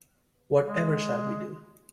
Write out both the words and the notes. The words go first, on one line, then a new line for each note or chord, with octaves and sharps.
What ever shall we do?
G#3